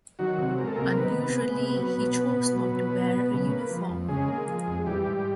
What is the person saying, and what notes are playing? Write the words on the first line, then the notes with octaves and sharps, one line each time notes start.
Unusually, he chose not to wear a uniform.
D#3 F#3 F#4
C3
G#3 A#4
A4
C3 A#3 A#4
D#3 B3 B4
C3
G#3
C3
F#3
B2
B3
B2
F#3
B2
B3
B2
C#3
A#3
F3
F2
C#3 G#3 G#4
A#3
F3
F2
E3 G3 G4
G#2